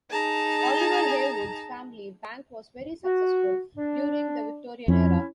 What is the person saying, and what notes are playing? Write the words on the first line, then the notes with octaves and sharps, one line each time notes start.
Oliver Heywood's family bank was very successful during the Victorian era.
D#4 G#4 A5 A#5
F#4
D4
F2 C#4 E4